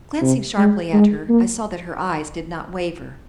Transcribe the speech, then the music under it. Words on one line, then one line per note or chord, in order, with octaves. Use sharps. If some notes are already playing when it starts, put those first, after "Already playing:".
Glancing sharply at her, I saw that her eyes did not waver.
C3
G#3
G#3
A#3